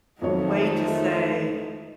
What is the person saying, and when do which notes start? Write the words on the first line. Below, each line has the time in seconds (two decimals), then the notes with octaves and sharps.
way to say
0.22 F2 D#3 F3 F#3 G#3 A3 D#4 C#5